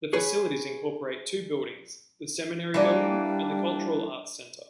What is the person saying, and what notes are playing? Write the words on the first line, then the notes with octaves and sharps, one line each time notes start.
The facilities incorporate two buildings: the Seminary Building and the Cultural Arts Center.
G#4 B4 C#5
E3 G3 A#3 D4 B4 D5